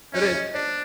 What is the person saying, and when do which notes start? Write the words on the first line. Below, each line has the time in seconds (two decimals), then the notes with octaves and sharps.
It is.
0.13 C#4 C#5 D#5
0.34 C#5 D#5
0.54 D4 C5 D5